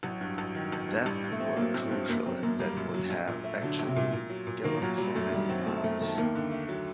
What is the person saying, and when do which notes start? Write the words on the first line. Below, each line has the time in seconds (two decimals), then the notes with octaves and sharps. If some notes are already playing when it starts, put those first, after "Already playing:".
That were crucial and that would have actually galloped for many miles .
0.03 A1 F#3
0.21 G2
0.38 A1
0.55 D#3
0.72 A1
0.88 G2
1.05 A1 G3
1.24 G2
1.32 A3
1.40 C4
1.57 F#3 A#3
1.74 A1 C4
1.91 G2 C4
2.09 F#2 A#3
2.26 F#3 C4
2.43 F#2 A#3
2.59 G3 A#3
2.77 F#2
2.94 F#3
3.10 A#1
3.28 A#2
3.44 A3
3.61 D3 F#3
3.79 A#1
3.87 C3
3.96 A#2
4.13 A#2
4.30 F#3
4.47 A#2
4.64 D#3 A#3
4.82 A#2 F#3
4.98 F#3 G3
5.15 F#2 A3
5.32 D#3 G3
5.49 F#3 C4
5.66 F#3 A3
5.84 F#2 A3
6.01 D#3 A3
6.18 D#2 A#3
6.35 D3
6.51 A3
6.69 F#3